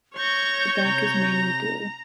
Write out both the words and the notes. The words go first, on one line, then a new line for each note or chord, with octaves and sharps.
The back is mainly blue.
C#5 C#6 G6 A#6
C3 A#5